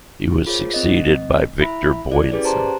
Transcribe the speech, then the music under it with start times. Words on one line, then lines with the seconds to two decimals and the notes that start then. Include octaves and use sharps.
He was succeeded by Victor Boysen.
0.46 F4 G#4 A#4 C5 C#5
0.74 C4 D#5
1.60 E4 E5 B5
2.11 E4 D5
2.32 C#4 G4 G#4 B4 D5
2.44 G4 C5 A5 A#5 C6